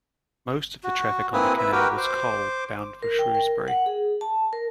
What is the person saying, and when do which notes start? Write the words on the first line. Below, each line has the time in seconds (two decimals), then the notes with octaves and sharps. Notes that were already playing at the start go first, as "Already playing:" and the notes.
Most of the traffic on the canal was coal, bound for Shrewsbury.
0.84 F#4
1.33 A#3 C4 E4 B4 G#5 D#6
1.58 B4 E5
1.72 F#4 G4 A#4 B4 G5
1.97 C5 D6
3.03 A#4
3.19 G5
3.35 A#4
3.68 F#5
3.86 G#4
4.21 A5
4.53 A#4